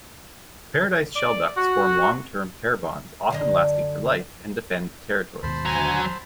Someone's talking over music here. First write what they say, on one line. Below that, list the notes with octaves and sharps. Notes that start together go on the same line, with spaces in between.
Paradise shelducks form long-term pair bonds, often lasting for life, and defend territories.
D5
F#4
F#2 D3 D#5
D#2 G#2 B2 C5 A5 B5
D2 F#3 G#5 A#5